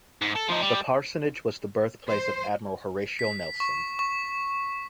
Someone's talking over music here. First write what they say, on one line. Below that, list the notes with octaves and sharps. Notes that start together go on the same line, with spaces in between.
That parsonage was the birthplace of Admiral Horatio Nelson.
G#2
A4
F3 D#4
G3
C5
B6
C#6
C#6